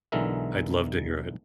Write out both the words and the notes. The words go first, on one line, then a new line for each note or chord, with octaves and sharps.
I'd love to hear it.
B1 D3 E3 G#3 A#4 E5